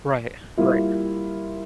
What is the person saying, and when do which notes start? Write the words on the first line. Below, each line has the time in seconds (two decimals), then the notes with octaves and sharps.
Right, right.
0.58 G3 A#3 E4 F4